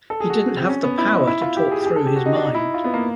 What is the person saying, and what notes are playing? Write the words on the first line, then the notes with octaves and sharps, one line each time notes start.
He didn't have the power to talk through his mind.
A4
G#4
F#4
C4
C#4
B3
E4
D#4
E4
F4
G4
G#4
G4
G#4
A4
G4
F#4
D#4
D4
D#4
E4
F4
B3
A#3